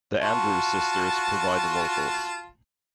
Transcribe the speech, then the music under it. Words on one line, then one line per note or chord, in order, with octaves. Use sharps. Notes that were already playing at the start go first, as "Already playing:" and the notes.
The Andrews Sisters provide the vocals.
F4 F#4 A5